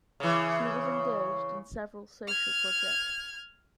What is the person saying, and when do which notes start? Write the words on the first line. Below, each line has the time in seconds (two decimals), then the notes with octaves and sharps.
She was engaged in several social projects.
0.20 C#3 E3
2.27 F6 G#6